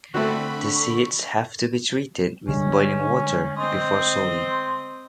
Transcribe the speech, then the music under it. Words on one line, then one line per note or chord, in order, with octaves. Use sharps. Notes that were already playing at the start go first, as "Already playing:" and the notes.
The seeds have to be treated with boiling water before sowing.
D3 A3 C4 F#4 B5 C#6
D3 G3 G#3 C#4
C4 D#5 C6